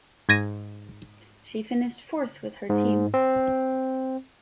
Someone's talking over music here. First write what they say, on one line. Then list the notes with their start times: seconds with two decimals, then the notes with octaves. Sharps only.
She finished fourth with her team.
0.29 G#2 G#6 A#6 D#7
2.69 G#2
3.14 C4